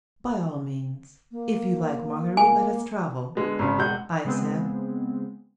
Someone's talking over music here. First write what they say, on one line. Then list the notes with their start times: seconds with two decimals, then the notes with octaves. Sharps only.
"By all means, if you like, Marguerite, let us travel," I said.
1.32 A#3
2.37 A#3 G#5
3.35 D3 G#3 B3
3.59 G#1 C#3
3.78 E1 G#3 F#5 G6
4.25 C#3 G#3 B3 C4